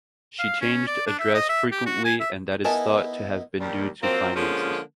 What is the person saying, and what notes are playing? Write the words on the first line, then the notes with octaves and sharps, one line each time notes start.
She changed address frequently and that is thought to have been due to finances.
F5
C#4
D5
D4
E5
D#5
E5
G4
F#4
G#5
E5
B3 D#4 E4 A#4 G#5 A5
D#2 G3
F3 F#3 A#3 C4
D3 F3 G#3 A#3 C#4